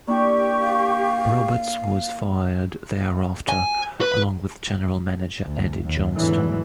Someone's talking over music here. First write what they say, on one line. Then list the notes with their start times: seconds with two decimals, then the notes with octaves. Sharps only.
Roberts was fired thereafter, along with General Manager Eddie Johnston.
0.07 A#3 D4 E4 G4 C#6
0.61 F5
3.49 G#5
4.01 B4
5.44 D2
5.83 D#2
6.13 E2 G#2 D3 E3 F#3 A3